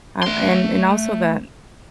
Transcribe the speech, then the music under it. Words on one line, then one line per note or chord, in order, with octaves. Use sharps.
Um, and and also, that
A3 C6